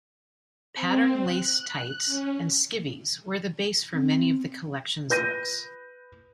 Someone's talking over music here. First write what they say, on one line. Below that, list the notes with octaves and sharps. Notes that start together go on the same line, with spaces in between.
Patterned lace tights and skivis were the base for many of the collection's looks.
C4
F#6
C#4
C4
B4 G6 A#6 D#7